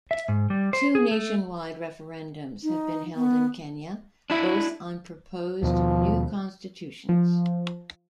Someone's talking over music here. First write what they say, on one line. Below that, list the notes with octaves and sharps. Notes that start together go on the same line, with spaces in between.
Two nationwide referendums have been held in Kenya, both on proposed new constitutions.
E5
G#2
G3
C5
G#4
A3
D#4
B3
D4 E4 E5
D#2 B2 F3
F3